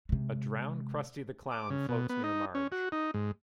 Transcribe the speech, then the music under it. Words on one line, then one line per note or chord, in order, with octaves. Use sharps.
A drowned Krusty the Clown floats near Marge.
C3 G#3
D6
C#3
B2
B3
D#4
C#4
F#4
D#4
G#2